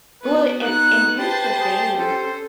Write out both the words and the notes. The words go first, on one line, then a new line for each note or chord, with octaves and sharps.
well, and and here's the thing,
B3 F#4 B4
D#4 F#6
G4 B4 C5 A5
G#4
C#4 A4 C5